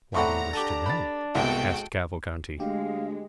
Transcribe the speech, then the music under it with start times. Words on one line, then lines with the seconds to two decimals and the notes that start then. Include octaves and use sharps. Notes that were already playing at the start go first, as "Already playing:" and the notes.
"Why do you wish to know?" asked Cavalcanti.
0.15 A2 D3 C4 F#5 A#5 B5 C#6
0.53 D4 G4 A4
0.86 B5 A6
1.35 C2 G#2 B2 G#3 F#4 A4 G5
2.60 D2 G#3 G4 F5